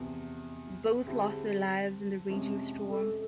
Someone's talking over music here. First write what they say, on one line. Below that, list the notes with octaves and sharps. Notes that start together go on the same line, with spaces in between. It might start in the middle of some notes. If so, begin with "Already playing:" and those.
Both lost their lives in the raging storm.
Already playing: E2 C3 F3
D3 G3 C4 E4 G4 G#4
F2 C3 F3 G#3 C#4
A4